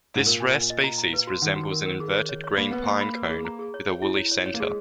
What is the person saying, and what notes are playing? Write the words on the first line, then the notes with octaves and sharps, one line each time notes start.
This rare species resembles an inverted green pine cone with a woolly center.
G#2
A#2 A#4
G#5
G#5
D#5
A#5
A#5
B4
F#4
D#3 F#5
F#4
A#4
A#4
G#4
C#5
C#5
C#5
A#3 B5
B3 B4
A#3 B5
B5
B4
G#4
A#5
G#4
C#5
C#5
E4
C#5
C#5
C#5
A#3
G#3 G#4